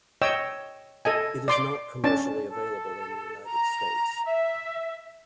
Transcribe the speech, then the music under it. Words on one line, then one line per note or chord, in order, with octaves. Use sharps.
It is not commercially available in the United States.
C#5 D#5 G5 E6
A4 D#5 G#5
D5 C6 D6
C#4 D4 A5
A4
A#5
E5